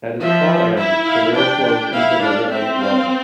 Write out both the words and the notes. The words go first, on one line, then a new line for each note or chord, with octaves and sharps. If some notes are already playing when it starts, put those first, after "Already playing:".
At its far end, the river flows into the River Rother.
F3 E5
E4 E5
F5
D4 G5
E4 F5
D4
C4 E5
F5